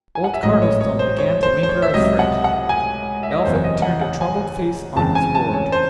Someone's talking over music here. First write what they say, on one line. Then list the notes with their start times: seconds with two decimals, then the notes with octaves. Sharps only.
Old Cardlestone began to whimper afresh; Elphick turned a troubled face on his ward.
0.15 G#5
0.24 F#5
0.34 E5
0.43 A1 G#2 F#3 A3 D#5
0.62 C#5
0.81 C#5
0.99 C5
1.18 C#5
1.43 C5
1.63 C5
1.69 C#5
1.82 E5
1.94 C#2 C3 F#3 D#5
2.19 F#5
2.44 F#5
2.69 G#5
3.23 E5
3.31 D#5
3.38 C#5
3.44 F#1 E2 C3 F#3 C5
3.55 C#5
3.64 D#5
3.82 F#5
4.01 F#5
4.21 G#5
4.96 F#1 E2 C#3 G#3 C4 A5
5.15 G#5
5.35 A5
5.53 C#5
5.72 C5